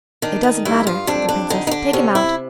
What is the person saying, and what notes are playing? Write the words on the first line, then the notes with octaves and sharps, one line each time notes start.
'It doesn't matter!' said the Princess. 'Take him out!'
D#3 D4
D#4
G2 E4
F4
F2 D4
D4
D3 D#4
D#4
D4
C3 C#4
E4